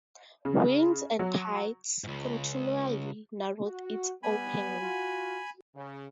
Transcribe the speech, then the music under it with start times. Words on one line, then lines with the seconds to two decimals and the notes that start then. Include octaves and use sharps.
Winds and tides continually narrowed its opening.
0.45 C#3
1.19 F#3
2.04 C#2 G#2
3.64 F#4
4.23 G3 B3 G#5 B5
4.80 F4 F#4
5.75 C#3